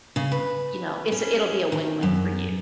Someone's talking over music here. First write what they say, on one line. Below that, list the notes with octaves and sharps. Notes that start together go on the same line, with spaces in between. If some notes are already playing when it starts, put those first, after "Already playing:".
you know, it's it'll be a win-win for you.
C#3
B4
C#4
D#3
F#2